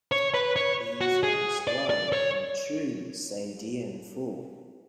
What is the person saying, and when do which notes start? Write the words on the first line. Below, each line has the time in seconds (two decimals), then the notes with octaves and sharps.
These are described in true Sadean form.
0.12 C#5
0.34 B4
0.56 C#5
1.01 F#4
1.23 G#4
1.67 D5
1.90 D5
2.13 C#5